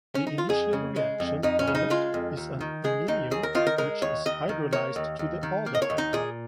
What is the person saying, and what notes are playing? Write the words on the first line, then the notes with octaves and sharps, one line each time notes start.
The initial reaction product is an iminium which is hydrolyzed to the aldehyde.
C#4
D#4
F4
F2 G#4
C#3
G#3
F2
F2 D#4
C#4
C#3
D#4
G#3 F4
F2
D#2
D#3
G#3 G#4
D#2 D#4
D#2 G#4
A#4
D#3 F4
A#4
G#3 A#4
D#2 C#5
D#2 D#5
D#3
A#3 C#5
D#2
D#2
D#3
A#3
D#5
C#5
D#2
D#4
A#2 G#4